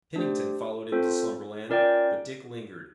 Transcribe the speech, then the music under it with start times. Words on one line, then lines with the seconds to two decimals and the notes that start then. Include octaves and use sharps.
Pennington followed him to slumberland, but Dick lingered.
0.15 A3 D4 G4 C5
0.92 C4 F4 A4 C5
1.70 C#4 F4 A#4 D5 G5